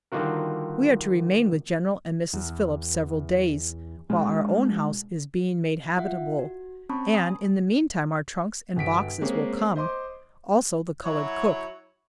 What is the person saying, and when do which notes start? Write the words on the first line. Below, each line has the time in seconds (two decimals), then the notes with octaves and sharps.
We are to remain with General and Mrs. Phillips several days, while our own house is being made habitable, and in the meantime our trunks and boxes will come, also the colored cook.
0.12 D3 D#3 G3 F4 F#4 A#4
2.33 E2
4.10 B2 G#3
5.97 F4 E5 F#5
6.39 F#4
6.89 C4 C#4 A5 B5 C#6
7.14 G#5 D#6
8.76 G1 F#4 B6 D7
9.21 G#3 A#3 C4 C#4 G#4
9.76 C5 D#5 C6 D6
11.04 F#3 E4 F#4 C#5